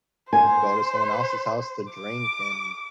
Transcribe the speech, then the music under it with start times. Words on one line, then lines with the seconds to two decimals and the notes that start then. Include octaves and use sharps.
go to someone else's house to drink, and,
0.33 C5 G#5
1.93 D6